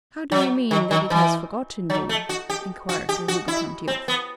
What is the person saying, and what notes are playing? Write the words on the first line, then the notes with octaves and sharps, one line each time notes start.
"How do you mean that it has forgotten you?" inquired the rubicund youth.
F#3
D#3
D#3
E3
F#3
A3
F#4
G4
F#4
G4
F#4
E4
C4
B3